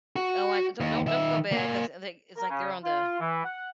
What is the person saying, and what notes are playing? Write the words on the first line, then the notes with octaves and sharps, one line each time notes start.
Oh, I d don't don't don't feel bad, 'cause, i like it's, like, they're on the
F#4
D#2
D#3 E5
A#3 G#5
A#4
C#3
F4
E3
F#5